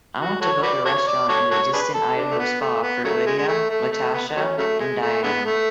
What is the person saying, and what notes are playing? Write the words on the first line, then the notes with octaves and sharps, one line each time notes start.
I want to book a restaurant in a distant Idaho spa for lidia, latasha and diann.
F#4
F#4 A4 C#5
F#4 B4 D5
F#4 A4 C#5
D5
F#4 A4 C#5
F#4 A4 C#5
D4 G#4 B4
A4
D4
A3
B3
A3
B3
C#3 F#3 A3
G#3
G#3
A3
A3
A3
B3
B3
F#3 A3 C#4
C#3 F#3 A3
G#3
A3
D3 G#3 B3
A3